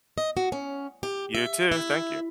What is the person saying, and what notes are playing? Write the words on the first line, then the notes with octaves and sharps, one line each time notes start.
You, too. Thank you.
D#5
F#4
C#4
G4
E5
E4